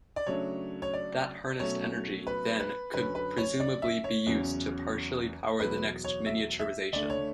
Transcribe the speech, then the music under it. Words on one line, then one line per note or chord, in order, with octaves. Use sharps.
That harnessed energy, then, could presumably be used to partially power the next miniaturization.
D5
C#3 F#3 A3 D4 C#5
C#5
D5
B2 F#3 A3 C#4 C#5
B4
B4
F#2 D3 F#3 C#4 B4
B4
C#5
D5
E5
C#5
E2 C#3 F#3 C#4
E2 B2 F#3 B4
C#5
E5
E5
D2 D3 A3 D4 D5
C#5